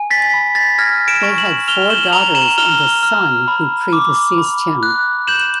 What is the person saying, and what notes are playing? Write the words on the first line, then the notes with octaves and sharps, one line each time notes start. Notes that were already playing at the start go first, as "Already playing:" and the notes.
They had four daughters and a son who predeceased him.
Already playing: G#5
A6 B6
B5
A6 B6
F6 G#6 A#6
D7 E7
C#6
E7 F#7
F6 F7 G7
E7 F#7
F#7
A#5 F7 G7
E7 F#7
F6 F7 G7
F6
B5
D6
B5
F#6
G6 E7 F#7